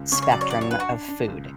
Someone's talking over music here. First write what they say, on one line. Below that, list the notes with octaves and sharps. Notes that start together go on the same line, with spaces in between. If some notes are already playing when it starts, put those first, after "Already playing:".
spectrum of food.
Already playing: C#2
C#3 C#5
C#5
F#3 D5
C#5
E2 D5
C#5
D4 B4
F#4
D4
D4
C#2